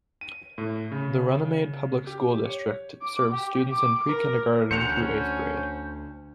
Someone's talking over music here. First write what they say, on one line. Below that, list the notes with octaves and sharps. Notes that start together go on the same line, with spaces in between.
The Runnemede Public School District serves students in pre-kindergarten through eighth grade.
D#7
A2
C#3
G4
C#5
D6
G4
D6
A#4
D2 C#4 C5 F#5 C#7 F7